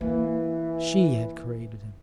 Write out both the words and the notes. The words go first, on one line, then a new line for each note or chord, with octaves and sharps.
She had created him.
E3 A#3